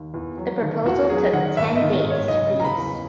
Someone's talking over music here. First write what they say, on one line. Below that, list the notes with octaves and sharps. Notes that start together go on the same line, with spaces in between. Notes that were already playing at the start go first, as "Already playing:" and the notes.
The proposal took ten days to produce.
Already playing: D#2
E2
F#3
D#3
E2 F#4
F#3 G#4
D#3 F#5
G#1 E5
D#5
D#3
D#5
G#2
C#5
F#1 D#5
C#3
A#5
B5
E2